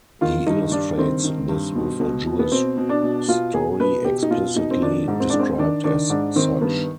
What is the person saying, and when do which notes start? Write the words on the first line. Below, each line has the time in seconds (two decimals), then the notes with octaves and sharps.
He illustrates this with a Jewish story, explicitly described as such.
0.21 D#3 F4
0.47 G2 D#4
0.72 G2 D4
0.98 D#3 C4
1.24 D#3
1.49 G2
1.75 B2
2.00 B2
2.26 B2
2.39 B3
2.51 B2 C4
2.77 B2
2.89 D4
3.03 B2
3.28 B2 F4
3.53 B2 G#4
3.80 B2 B4
4.05 B2 G4
4.23 D#4
4.30 B2 F4
4.56 B2 D#4
4.71 C4
4.82 D#3 D4
5.07 G#2
5.20 C4
5.30 G#2 D4
5.39 C4
5.58 D#3 D4
5.84 D#3 D4
6.10 G#2 D4
6.36 D#3 C4
6.61 G2 B3